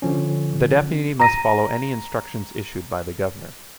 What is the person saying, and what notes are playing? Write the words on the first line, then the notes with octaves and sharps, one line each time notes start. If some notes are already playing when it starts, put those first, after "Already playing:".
The Deputy must follow any instructions issued by the Governor.
D3 F3 C#4
A#5 A#6 D#7